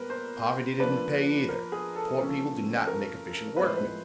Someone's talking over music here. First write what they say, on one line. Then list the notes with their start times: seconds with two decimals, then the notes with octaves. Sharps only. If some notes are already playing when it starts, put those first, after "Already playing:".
Poverty didn't pay, either; poor people do not make efficient workmen.
Already playing: A#2 G3 B3 A#4 B4
0.10 C5
0.79 F3 A#3 D4 B4
1.49 A#4
1.72 G#4
1.95 A4
2.18 C#3 F3 A#3 C#4
2.87 A#4
3.57 A2 F3 G#3 C4 B4
3.67 C5
3.77 B4